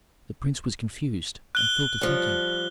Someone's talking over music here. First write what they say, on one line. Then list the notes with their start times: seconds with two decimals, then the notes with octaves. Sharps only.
The prince was confused and fell to thinking.
1.55 F#6 G7
2.01 F3 G3